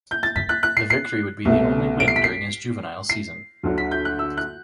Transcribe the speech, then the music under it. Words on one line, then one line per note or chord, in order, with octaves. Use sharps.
The victory would be the only win during his juvenile season.
G6
A6
B6
F#6
F#6
C7
C7
C2 B2 A3
D7
C7
B6
C7
C7
D2 D3 F#3
B6
G6
F#6
E6
F#6